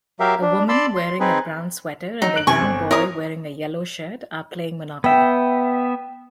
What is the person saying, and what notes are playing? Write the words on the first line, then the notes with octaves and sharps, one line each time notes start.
A woman wearing a brown sweater and a young boy wearing a yellow shirt are playing monopoly.
F#3 G4 A#4 E5 F5
D4
D5 A5 B5 C6 E6
C6
C4 D#4 G#4 B4
F#3 D#4
F#6 D7 F#7
F#2 C3 G#5 C#6
G1 C4
C4 E4 A#4 C#5 D#6
B3 E5 G5